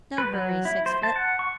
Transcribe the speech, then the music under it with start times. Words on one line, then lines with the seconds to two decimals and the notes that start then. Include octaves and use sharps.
No hurry, six-foot.
0.18 B4
0.33 F#3
0.65 E4
0.86 C5
1.03 A5
1.16 F#5
1.39 C#6